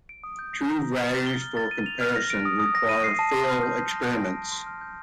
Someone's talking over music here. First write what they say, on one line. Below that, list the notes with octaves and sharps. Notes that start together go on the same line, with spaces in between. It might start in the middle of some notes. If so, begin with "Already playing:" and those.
True values for comparison require field experiments.
D7
D#6
G6
A#6
A#5
A#5
F6
A6
G7
F6
A6
D#7
F7
F6
A#6
D7
D#6
D#6
A#6
D#7
C7
A5
C6
F6
G6
G6
A#6
D7
A#6
A5
C6
F6
G6